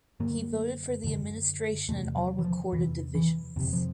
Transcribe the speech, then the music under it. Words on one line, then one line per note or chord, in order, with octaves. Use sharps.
He voted for the Administration in all recorded divisions.
F#2 D3 A#3
F#2 D3
E2 C3 A3
F#3
E3
F3
E2 C3 E3
E3
F2 C3 D3
F3